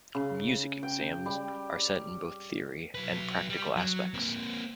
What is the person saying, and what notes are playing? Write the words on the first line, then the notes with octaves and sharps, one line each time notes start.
Music exams are set in both theory and practical aspects.
C#3
G5
G3
F#3 B4
G3
F#3
A#3 C4